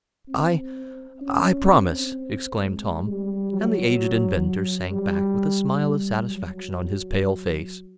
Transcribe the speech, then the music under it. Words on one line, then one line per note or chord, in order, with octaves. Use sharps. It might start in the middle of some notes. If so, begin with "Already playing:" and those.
"I--I promise!" exclaimed Tom, and the aged inventor sank back with a smile of satisfaction on his pale face.
C4
C#4
C4
G#3
G3
F#3
G3
F#3